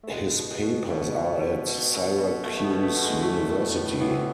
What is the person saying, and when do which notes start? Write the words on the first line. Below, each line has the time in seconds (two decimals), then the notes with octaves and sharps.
His papers are at Syracuse University.
0.04 A3
0.11 B2 G#3
0.38 B2
0.63 B2
0.90 B2
1.16 B2
1.41 B2
1.67 B2
1.93 B2
2.19 B2
2.45 B2 A3
2.58 A3
2.64 B3
2.71 B2
2.83 A3
2.97 B2
3.03 G#3
3.23 E3 A3
3.48 A2
3.74 A2
4.00 E3 B3
4.10 C4